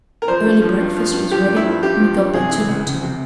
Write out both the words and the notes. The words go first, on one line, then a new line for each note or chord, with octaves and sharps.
Early breakfast was ready when he got back to the hotel.
A#4
F3 C5
G2
F3
G2
F3
G2
F3 G4
G2
E4
F3
G2 G4
F3
G2
C3 G#4
E3
C#2
C#2
C3